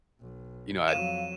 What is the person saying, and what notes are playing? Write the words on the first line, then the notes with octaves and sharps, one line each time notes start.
you know, I
B1
F2 F#3 F5 D#7 E7